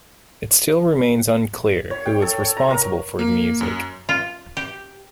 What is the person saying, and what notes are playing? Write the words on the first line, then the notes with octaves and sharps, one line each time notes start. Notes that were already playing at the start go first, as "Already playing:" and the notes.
It still remains unclear who was responsible for the music.
C#5
G5
A4
C#5
A#5
A#4
A#3
F#2
F4
G4